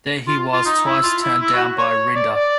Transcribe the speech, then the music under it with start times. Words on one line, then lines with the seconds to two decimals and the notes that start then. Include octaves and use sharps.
There he was twice turned down by Rinda.
0.28 F4
0.53 F4
0.66 D#4
0.85 E4
1.03 F4
1.23 E4
1.40 E4
1.53 F#4
1.78 C#5
2.15 D5
2.35 D5